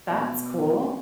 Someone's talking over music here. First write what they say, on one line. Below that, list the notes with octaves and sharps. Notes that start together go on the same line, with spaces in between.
That's cool.
B2